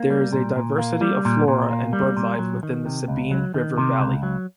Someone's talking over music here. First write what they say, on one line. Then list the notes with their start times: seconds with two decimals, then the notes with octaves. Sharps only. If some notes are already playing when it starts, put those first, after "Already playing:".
There is a diversity of flora and birdlife within the Sabine River Valley.
Already playing: A#3
0.10 G3
0.33 A#2
0.56 A#2
0.78 A#3
1.01 G3
1.25 A#2
1.48 A#2
1.71 A#3
1.93 G3
2.17 A#2
2.39 F#3
2.63 D#3
2.86 C3
3.08 C#2
3.31 F#3
3.54 D#3
3.78 C3
4.00 C#2
4.23 F#3